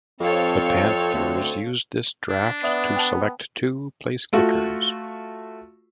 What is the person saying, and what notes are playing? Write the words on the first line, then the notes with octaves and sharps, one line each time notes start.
The Panthers used this draft to select two placekickers.
F2 C4 A4 C#5 F5
D2
D4
B3 D5 E5 D#6
G5 A5
A3 F4 F#4